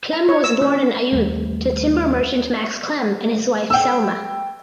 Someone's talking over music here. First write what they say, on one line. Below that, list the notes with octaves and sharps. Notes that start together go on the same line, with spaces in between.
Klemm was born in Aiud to timber merchant Max Klemm and his wife Selma.
A#5
C#5
E6
C#4
D#2 G3 A3
G5 E6